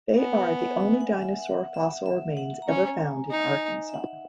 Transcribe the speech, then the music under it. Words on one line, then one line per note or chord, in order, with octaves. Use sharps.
They are the only dinosaur fossil remains ever found in Arkansas.
B3 G#5
F#5
E5
E5
G#5
F#5
E5
E5
F#5
E5
E5
F#5
A#5
C#4 G#5
D#4
E5
F#5